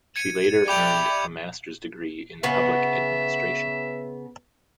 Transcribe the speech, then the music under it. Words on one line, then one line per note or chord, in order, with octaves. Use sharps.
She later earned a master's degree in public administration.
G#6 C#7 D#7
G4 D5 E5 B5 D6 G6 F7
C#3 B3 B4 E5